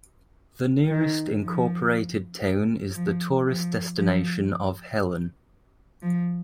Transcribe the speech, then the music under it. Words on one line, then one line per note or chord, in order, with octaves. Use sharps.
The nearest incorporated town is the tourist destination of Helen.
D#3
F3
F3
F3
F3
F3